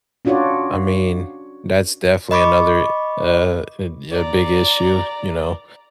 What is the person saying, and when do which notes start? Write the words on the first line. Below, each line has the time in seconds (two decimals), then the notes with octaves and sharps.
I mean, that's definitely another, uh, a a big issue, you know,
0.25 C#4 D4 F4 F#4 C#5 D5
2.31 D#5 B5 C#6 D6
4.11 D5 A#5